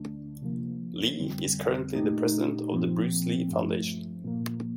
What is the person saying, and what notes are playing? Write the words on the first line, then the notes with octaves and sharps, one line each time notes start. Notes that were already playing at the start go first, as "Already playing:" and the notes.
Lee is currently the president of the Bruce Lee Foundation.
Already playing: D2 D3 A3 D4
C3 F3 A#3
F2 D3 G3 C4
A#2 A3 D#4 G4
A#2 F3 C4
G2 F3 A3
A#2 F3 A#3